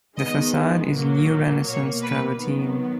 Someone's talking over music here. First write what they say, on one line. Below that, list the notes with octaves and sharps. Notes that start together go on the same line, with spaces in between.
The facade is neo-Renaissance travertine.
D#3 G#3 B3 D#5
A#2 F#3 A#3
B2 A#3 C#5
B4
D#3 F#3 B3